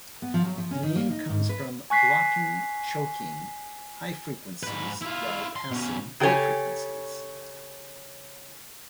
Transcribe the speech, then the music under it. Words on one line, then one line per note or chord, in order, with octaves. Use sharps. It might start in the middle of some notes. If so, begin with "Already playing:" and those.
The name comes from blocking-"choking"-high frequencies while passing low frequencies.
B3
F3
F#3
F3
C#4
D#3
A#3
D#4
G#2
B4
G#5 C#6 F#6 B6 C7
G#2 B4
E4 F4
C6
B2 C#4
C#3 G4 A4 C#5 G#5